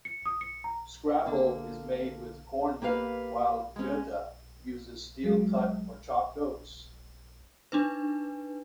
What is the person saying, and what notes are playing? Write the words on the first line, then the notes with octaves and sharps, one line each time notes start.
Scrapple is made with cornmeal while goetta uses steel-cut or chopped oats.
C#7
D#6
C#7
A#5
D3 A#3
A#3 G4 B4 F5
G#3 C#4
F#3 G#3
D4 D#4 B4